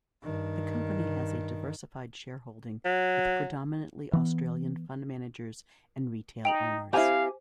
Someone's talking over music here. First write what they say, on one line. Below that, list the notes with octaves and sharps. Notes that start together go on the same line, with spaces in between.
The company has a diversified shareholding with predominantly Australian fund managers and retail owners.
G2 D#3
F#3
E3 B3
D#4 G5 F7 F#7
C4 E4 G4 C5 F5 G#5 F7